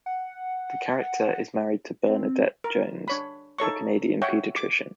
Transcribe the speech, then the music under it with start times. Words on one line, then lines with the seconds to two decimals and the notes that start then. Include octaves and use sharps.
The character is married to Bernadette Jones, a Canadian pediatrician.
0.06 F#5
2.07 C4
2.64 A#4
3.08 D4 C#5 B5
3.58 D#4 A4 C#5 C#6
4.22 C#5 E5 F#5 G5
4.56 D6